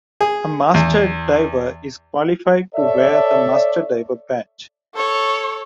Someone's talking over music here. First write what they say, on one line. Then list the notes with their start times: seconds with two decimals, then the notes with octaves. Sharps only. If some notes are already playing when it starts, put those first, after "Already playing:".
A master diver is qualified to wear the master diver badge.
0.21 G#4
0.74 E2
2.75 A4 C#5 D5 E5
4.95 A4 C#5